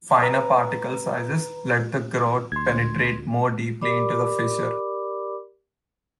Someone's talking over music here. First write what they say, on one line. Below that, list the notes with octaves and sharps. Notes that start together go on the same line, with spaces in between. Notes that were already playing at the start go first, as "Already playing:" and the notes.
Finer particle sizes let the grout penetrate more deeply into a fissure.
B4 A#5
D2 C6 G#6
G4 A#4 D5 B5 D6